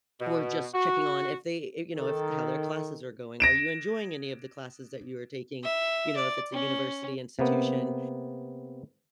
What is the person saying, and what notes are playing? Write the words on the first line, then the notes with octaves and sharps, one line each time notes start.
or just checking on if they, eh, you know, if how their classes are going. "Are you enjoying any of the classes that you are taking?" you know, if it's a university institution,
B2
F#4
D#3 A4
A#6 D7 E7
E5
D5
C#4
C3 A#3 B3